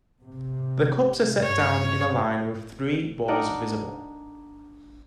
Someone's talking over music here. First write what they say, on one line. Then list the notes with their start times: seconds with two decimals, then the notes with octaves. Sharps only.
The cups are set down in a line with three balls visible.
0.22 C3
1.43 G2 C#5
3.28 D4 D#4 A#4 F#5